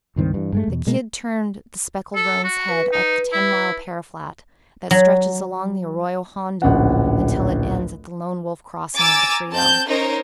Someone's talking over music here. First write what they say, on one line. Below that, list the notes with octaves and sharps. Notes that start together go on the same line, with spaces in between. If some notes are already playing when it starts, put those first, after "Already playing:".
The Kid turned the speckled roan's head up the ten-mile pear flat that stretches along the Arroyo Hondo until it ends at the Lone Wolf Crossing of the Frio.
C#2 G2 D#3 C4
G2 E3
G2 G#3 A3
E2 B2
B2 G#3 A#3
A4
F#4
B4
D#4
E4
F#3
D1 A#1 C#4 F#5
G#5 A#5 D6 E6 A6
C4 A5 G6
C#4 D#4 A#4 C5 C#5